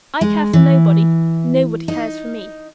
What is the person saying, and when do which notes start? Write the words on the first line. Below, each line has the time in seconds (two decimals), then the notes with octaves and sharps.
'I care for nobody-- Nobody cares for me.'
0.21 G#3
0.53 E3
1.88 D#4